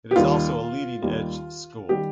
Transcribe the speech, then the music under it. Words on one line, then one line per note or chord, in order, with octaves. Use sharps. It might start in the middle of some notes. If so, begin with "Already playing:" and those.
It is also a Leading Edge school.
G4
D#2 D#3 G3 F4
D#2 D#3 G3
D#3 G3 G4